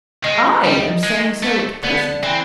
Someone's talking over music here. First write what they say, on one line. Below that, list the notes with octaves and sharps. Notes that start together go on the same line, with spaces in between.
"I am saying so at present."
D#3 G#3
G3
G#3
A3
D3 B3
E3 C4